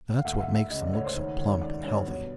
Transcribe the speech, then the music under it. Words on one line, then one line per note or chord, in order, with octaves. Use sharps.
That's what makes them look so plump and healthy.
F5
D2 E5
F5
E5
D2
E5
C#3 D#5
D5
D2 C#5
C5
D#3 C#5
D#3 C#5
D#3 D5
G2 C#5
B2 C#5